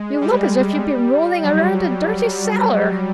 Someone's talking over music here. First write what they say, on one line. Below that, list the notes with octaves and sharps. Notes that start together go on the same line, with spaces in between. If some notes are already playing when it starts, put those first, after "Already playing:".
"You look as if you'd been rolling around a dirty cellar."
Already playing: G#3
G3
F#3